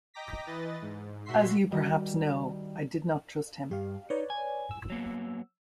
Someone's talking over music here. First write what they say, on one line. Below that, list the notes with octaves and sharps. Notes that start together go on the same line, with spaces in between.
As you perhaps know I did not trust him.
D#5 G5 A#5 D6 A#6 B6
E3 B4 D#5 A6
G#2
A#2 F#4 E5 C6 B6 C7
D#3 G3 F#4 D#5
G2 G4 F5
D#4 B4 C#5 D5
G#5
E6
F#3 A#3 B3